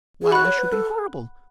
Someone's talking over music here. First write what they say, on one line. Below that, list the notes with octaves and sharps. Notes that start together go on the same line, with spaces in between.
Why, I should be horrible!
G#4
F#4 F#5 B5 F#6
C#5
B4
A4